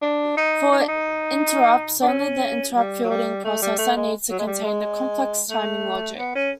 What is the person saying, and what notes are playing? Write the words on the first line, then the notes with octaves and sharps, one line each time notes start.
For interrupts, only the "interrupt-fielding processor" needs to contain the complex timing logic.
D4
D#4
D#4
D4
D#4
D4
C#4
G3
F#3
G3
A3
G3
A3
G#3
F#3
G#3
G3
G#3
A3
B3
C#4